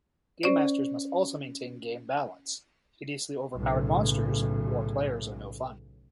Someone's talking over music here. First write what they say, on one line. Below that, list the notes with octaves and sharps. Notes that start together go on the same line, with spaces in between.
Gamemasters must also maintain game balance: hideously overpowered monsters "or" players are no fun.
C#4 C5 D5
B1 A2 C#3